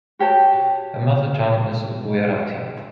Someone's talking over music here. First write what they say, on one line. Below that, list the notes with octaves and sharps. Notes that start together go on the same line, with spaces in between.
Her mother tongue is Gujarati.
F#4 G4 C#5 A5